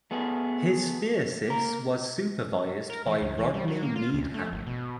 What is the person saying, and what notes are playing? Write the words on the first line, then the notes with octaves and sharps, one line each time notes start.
His thesis was supervised by Rodney Needham.
A3 B3 G#4
A#3 A#4
A#4
E3
C#2
E3
G3
F#3
A#3
F4
D2
A3
G#1
B2